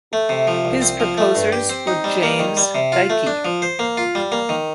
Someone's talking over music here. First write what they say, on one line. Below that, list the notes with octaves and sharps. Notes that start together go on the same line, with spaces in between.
His proposers were James Geikie.
A3
C3
F3
C2
C4
F3
A3
G2
G4
C4
D#4
G3
A#3
D#3
G3
C3
F4
A3
D4
F3
C5
A#3
F4
G3
A#3
D#3